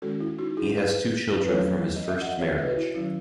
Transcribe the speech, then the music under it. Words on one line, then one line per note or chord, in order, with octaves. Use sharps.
He has two children from his first marriage.
D#3 G#3 C#4 F#4 A4
E4
D#4 F#4
E4 G#4
G#4 B4
B4
F#3 A3 C#4 A4 C#5
D#5
E5
D#5 F#5
C#5 E5
B4 D#5
F#4
E4
D#3 F#3 C#4 E4